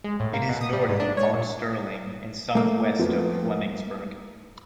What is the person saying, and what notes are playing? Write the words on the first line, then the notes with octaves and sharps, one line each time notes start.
It is north of Mount Sterling and southwest of Flemingsburg.
G#3
A2
A#3
B2
D#6
G3
G#2
D4
C#5
A#2
A3 A#3
F2 B3 F4
A#4